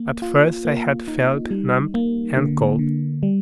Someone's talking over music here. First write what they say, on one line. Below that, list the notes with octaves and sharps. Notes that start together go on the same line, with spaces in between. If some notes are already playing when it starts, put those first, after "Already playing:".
At first I had felt numbed and cold.
Already playing: A#3
F4
A#3
D#4
G3
A#3
D3
D3
G3